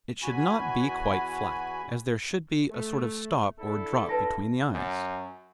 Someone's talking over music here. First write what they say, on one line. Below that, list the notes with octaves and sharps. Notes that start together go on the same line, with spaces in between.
It should not be quite flat, as there should be a sort of stop or drop between the eyes.
E2 F#4 G#5 B5
A3
D3 E4 A4
B4 A5 A#6
F#2